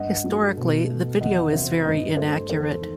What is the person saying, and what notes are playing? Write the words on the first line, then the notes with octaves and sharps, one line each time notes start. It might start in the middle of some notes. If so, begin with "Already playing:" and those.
Historically, the video is very inaccurate.
Already playing: G2 D#5 F#5
F#3 A3
B2
A3
E2 D#5 F#5
C3 F#3 C5 E5
G2 B4 D#5
F#3 A3 A4 C5
E2 A4 C5
D#3